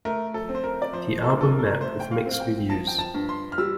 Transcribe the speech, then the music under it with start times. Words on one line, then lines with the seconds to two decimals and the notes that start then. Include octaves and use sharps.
The album met with mixed reviews.
0.05 A3 A#4
0.34 A4
0.49 C4
0.55 C5
0.64 A#4
0.82 D5
0.93 F3 C5
1.22 A4
1.31 A#4
1.37 G2 A4
1.52 A#4
1.59 A4
1.66 A#4
1.81 A3 C5
2.00 G5
2.12 F5
2.26 C4
2.31 F5
2.40 G5
2.70 F3 A5
2.87 G5
2.99 A5
3.14 G2
3.29 C6
3.52 F6
3.58 G3 E6